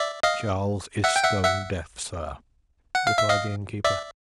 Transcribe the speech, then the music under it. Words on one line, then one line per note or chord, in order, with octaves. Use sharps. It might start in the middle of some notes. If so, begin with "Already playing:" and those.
"Charles is stone deaf, sir," replied the innkeeper.
Already playing: D5 E5
D#5 F5
E5 F#5
G5
E5 F#5
E5 F#5
F#5
F5
E5
D#5 F5
D5 E5